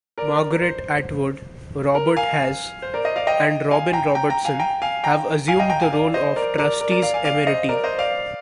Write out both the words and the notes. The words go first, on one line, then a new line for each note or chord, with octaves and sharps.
Margaret Atwood, Robert Hass and Robin Robertson have assumed the role of Trustees Emeriti.
A#4 D5
C5
A#4
F5 G#5
C5
A#4 D5
C5 D#5
D5 F5
D#5 G5
F5 G#5
G5 A#5
G5 A#5
G5 A#5
F5 G#5
G5 A#5
F5 G#5
G5 A#5
F5 G#5
D#5 G5
G5 A#5
F5 G#5
D5 F5
C5 D#5
A#4 D5
A#4 D5
A#4 D5
A#4 D5
D5 F5
F5 G#5
D5 F5
C5 D#5
A#4 D5
C5 D#5
D5 F5